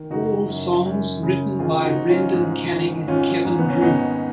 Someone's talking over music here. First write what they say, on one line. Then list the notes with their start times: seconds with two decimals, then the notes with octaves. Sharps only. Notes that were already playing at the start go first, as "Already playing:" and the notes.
All songs written by Brendan Canning and Kevin Drew.
Already playing: D#3
0.10 F#1 D#4 F#4
0.48 F#2
0.86 F#2
1.23 C#3
1.59 G#1 F4 G#4
1.74 F4
1.84 D#4 F#4
1.97 F3
2.09 C#4 F4
2.33 G#2
2.71 G#1
3.07 G#1 C#4 F4
3.45 G#2
3.58 B3
3.70 C#4
3.82 G#1 B3 D#4